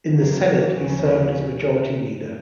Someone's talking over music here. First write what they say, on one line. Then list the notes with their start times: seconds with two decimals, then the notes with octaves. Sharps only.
In the Senate, he served as Majority Leader.
0.17 F2 D#3 F#3 A#3
0.76 D#2 C#3 F3 C#4